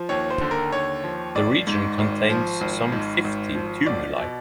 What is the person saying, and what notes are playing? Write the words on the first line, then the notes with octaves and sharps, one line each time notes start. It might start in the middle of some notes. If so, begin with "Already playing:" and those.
The region contains some fifty tumuli.
Already playing: F3
D#2 C#5
C5
D3
A#4
D#2 C#5
F3
G#1 D5
G#2
G#1
F3
G#1
G#2
G#1
F3
B1 D5
B2